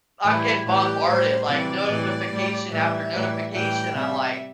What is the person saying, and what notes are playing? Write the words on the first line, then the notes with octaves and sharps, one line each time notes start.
I'm getting bombarded, like, notification after notification, I'm like
A2 E3 G3 E4
A2 E3 G3 G4
A2 G3 C5
C3 E3 G3 D5
A2 E3 G3
A2 G3
A2 E3 G3 E5
A2 E3 G3
A2 E3 G3 G5
C3 G3 E5